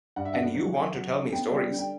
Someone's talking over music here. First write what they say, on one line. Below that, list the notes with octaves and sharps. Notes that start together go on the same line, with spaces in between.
And you want me to tell stories!
G2 F#5
E5
D3 F#5
F#3
F#3
F#3
D3
B3 G5
G3
D3
G5